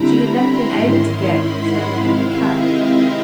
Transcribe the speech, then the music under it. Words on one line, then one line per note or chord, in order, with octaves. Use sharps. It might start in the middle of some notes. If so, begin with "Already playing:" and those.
She had never been able to get further than her cat.
Already playing: D3 G3 C4 E4 A#5 B5
B5
C6
G#2 D#3 G#3 C#4 E4
B5
F#5
C3 D#3 G#3 C4 E4 F5
E5
D#5
D#5